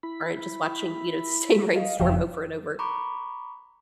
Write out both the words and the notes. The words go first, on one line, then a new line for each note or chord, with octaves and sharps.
aren't just watching, you know, the same rainstorm over and over.
E4 B5
D#5 F5
F#1 F2 F3 E5 F5 G5
A#5 B5 C#6 D6